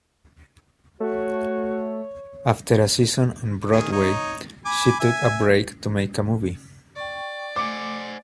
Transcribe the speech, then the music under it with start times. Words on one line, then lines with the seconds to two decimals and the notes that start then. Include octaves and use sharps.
After a season on Broadway, she took a break to make a movie.
1.00 A3 F#4 C#5
3.72 D#3 G#4
3.92 D#4 C#5
4.66 G#5 B5 D6
5.00 E5 G#5
6.96 D5 G5 C#6
7.56 A3 C5 F#5 G#5 D6